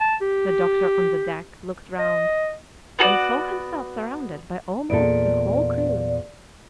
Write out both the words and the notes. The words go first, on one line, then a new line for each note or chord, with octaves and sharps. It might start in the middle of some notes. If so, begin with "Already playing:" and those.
The doctor, on the deck, looked round, and saw himself surrounded by almost the whole crew.
A5
G4
D#5
B3 F#4 A4 D5
E2 A#2 A4 D5